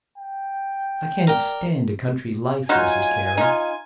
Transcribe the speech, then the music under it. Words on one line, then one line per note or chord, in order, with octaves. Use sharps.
I can't stand a country life, Mrs Carey.
G5
A#4 D5 G5
F#3 D#4 F4 G#5
D#4 F4